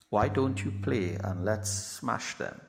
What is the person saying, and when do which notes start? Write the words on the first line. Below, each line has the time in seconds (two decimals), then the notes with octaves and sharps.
Why don't you play and let's smash them?
0.22 G2 D4